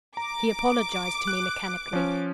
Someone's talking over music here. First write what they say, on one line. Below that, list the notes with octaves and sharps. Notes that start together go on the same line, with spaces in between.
He apologized to me mechanically.
A#5 D6
F#6
F3 C#4